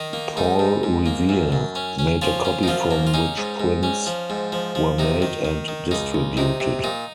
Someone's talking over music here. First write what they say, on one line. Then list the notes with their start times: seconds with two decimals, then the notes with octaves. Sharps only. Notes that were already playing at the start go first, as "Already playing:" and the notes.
Paul Revere made a copy from which prints were made and distributed.
Already playing: D#3 D#4
0.13 A#3
0.37 G#2 D#4
0.59 G#2
0.83 G#2
1.06 A#3
1.29 F#2
1.52 F#2
1.75 C#4
1.99 C#4
2.22 F3 C#4 F4
2.45 C#4
2.63 D#4
2.67 F#2 F3 F4
2.91 A#3
3.07 F4
3.14 C#4 D#4
3.37 G#2
3.60 G#2
3.83 C#4
4.07 F3
4.30 G#2
4.52 F3
4.75 F3
4.99 C3 D#4
5.22 D#3
5.45 D#3
5.68 D#3
5.91 C#2 D#4
6.14 C#2
6.37 C3 D#4
6.60 C3
6.84 A#2 D#4